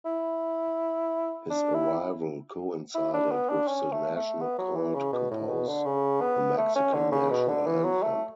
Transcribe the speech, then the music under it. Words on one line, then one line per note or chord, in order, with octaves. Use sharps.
His arrival coincided with the national call to compose the Mexican National Anthem.
E4
D4
E4
E4
D4
B3
D4
C#4
A3
A3
B3
F#3
E3
C#3
B2
A2
B2
D3
C#3
B3
A3
C#4
D3
C#3
B2
D3
E3
F#3
A3